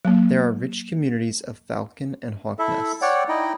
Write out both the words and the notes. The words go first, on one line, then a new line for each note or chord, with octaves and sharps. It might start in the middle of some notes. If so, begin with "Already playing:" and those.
There are rich communities of falcon and hawk nests.
F#3 A#3
E4 A4 E5
C#5 D5 F#5 G5
D#4 E4 D#5 G5